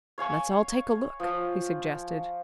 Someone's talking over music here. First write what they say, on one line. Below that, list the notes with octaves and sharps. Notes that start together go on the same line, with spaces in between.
"Let's all take a look," he suggested.
C#5 F5 G#5 C#6
F3